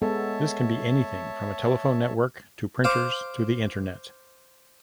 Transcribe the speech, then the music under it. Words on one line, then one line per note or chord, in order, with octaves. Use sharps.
This can be anything from a telephone network, to printers, to the Internet.
G#3 B3 A4 C#5 E5 A5
C5 F5 D6